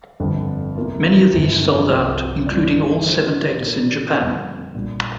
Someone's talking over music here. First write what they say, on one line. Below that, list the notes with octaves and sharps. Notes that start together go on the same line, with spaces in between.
Many of these sold out, including all seven dates in Japan.
G1 F2 D3 G3
C3 F3 A#3 F4
G1 F2 C3 F3
C2 C3 F3 A#3
G2 G3 D4 F4 D5
D3 A#3 F4 C5
A#2 A#3 G4 A#4 D5
F2 D3 G3 C4
A#1 A#2 G3